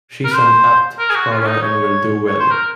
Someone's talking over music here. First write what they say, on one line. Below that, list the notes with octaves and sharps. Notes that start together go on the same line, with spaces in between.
She's an apt scholar and will do well.
A#4
C5
A#4
G#4
F#4
F4
C#4
D#4
C#5
C#5
C5
A#4